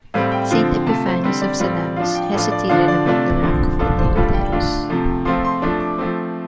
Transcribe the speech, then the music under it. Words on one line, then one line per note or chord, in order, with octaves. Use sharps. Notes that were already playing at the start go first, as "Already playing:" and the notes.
Saint Epiphanius of Salamis hesitated about the rank of the deuteros.
A2 G3 C4 F5
G5
D3 F3 C4 F4
C3 A3 F4 A5
C5
D3 G3 C4 C5
D5
A2 G3 C4 F4
F3 D4 F4 F5
G5
A2 F3 D4 F4
D5
D3 F3 D4 F4 F5
D5
C3 A3 D4 F4
D3 F3 C4
D3 F3 A3 D4 F4 A4
C5
A2 G3 D4 F4 A4
G5
D3 A3 D4 F4
C3 F3 A3
F3 A3 C4 F4 C6
C6
F3 A3 D4
D6
F3 A3 C4